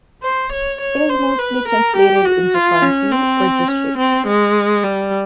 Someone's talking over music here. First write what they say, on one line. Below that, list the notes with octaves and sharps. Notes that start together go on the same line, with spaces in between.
It is mostly translated into "county" or "district".
C5
C#5
C#5
C5
B4
A#4
G4
F#4
F4
C#4
C4
C#4
C4
G#3
G3